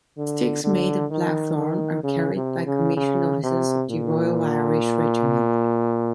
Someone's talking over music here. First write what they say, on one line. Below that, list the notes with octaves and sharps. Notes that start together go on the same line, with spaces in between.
Sticks made of Blackthorn are carried by commissioned officers of the Royal Irish Regiment.
D3
D3
D#3
D#3
C#3
C3
C#3
C#3
C3
A#2